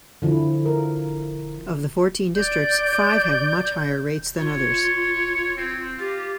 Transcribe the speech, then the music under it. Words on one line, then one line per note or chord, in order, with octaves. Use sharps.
Of the fourteen districts, five have much higher rates than others.
D3 F3 E4
A#4
D5 G6
F4 C#5
C4
F4 G4